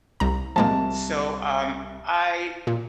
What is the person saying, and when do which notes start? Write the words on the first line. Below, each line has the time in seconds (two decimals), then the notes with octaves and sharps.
So, um, I
0.20 C2 A#5
0.56 C2 F3 G#3 A#3 A5
2.67 A#2